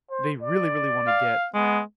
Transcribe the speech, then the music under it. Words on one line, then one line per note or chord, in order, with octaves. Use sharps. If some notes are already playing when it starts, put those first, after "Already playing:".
they really, really wanna get,
C5
D5
F5
G#3 B3